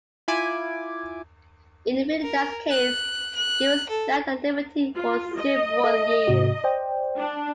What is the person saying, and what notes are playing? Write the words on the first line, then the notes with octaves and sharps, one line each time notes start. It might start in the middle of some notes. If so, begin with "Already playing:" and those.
In Veleda's case, she was left at liberty for several years.
E4 F4 G#5 D6
A#4
F#6
F#6
A4
F4
D#5
A4 E5
G#2 C3 F#4
C5 D5 G5
D4